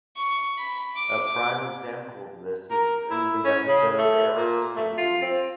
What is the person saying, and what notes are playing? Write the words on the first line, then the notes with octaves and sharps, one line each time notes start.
A prime example of this is in the episode "Eric's Panties".
C#6
B5
D6
A#4
E4
C#4
C#3
A3
A#2
A3
F4
C4